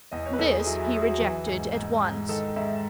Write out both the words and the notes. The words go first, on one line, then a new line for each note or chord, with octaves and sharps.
This he rejected at once.
E2 D#5
C#5
B4
E2 A4
G#4
F#3 E4
E4
F#3 G#4
F#4
E3
G#2
G#2
G#2
D#3 A4
G#2 E5